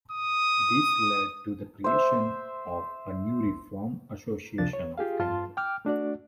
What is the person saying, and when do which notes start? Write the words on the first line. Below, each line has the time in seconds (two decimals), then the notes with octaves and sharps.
This led to the creation of a new "Reform Association of Canada".
0.11 D#6
1.84 C5 E5
4.58 C#2 C3 F3 D4 A6
4.73 C#5
4.98 F4 G4 G#4 F5
5.19 G2 F4 A5 C6
5.57 G5 D6 F6
5.85 A3 D4 F#4 D5